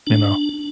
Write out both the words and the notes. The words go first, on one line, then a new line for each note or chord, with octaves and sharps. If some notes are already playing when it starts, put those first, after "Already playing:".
you know,
D4